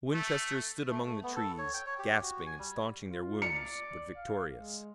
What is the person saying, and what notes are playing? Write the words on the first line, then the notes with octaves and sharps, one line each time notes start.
The Winchesters stood among the trees, gasping and staunching their wounds, but victorious.
A3
A3
A3
B3
A4
C#5
G5
C#5
G4
F#4
G#5
G3
F4
D5 C#7
F5
G#3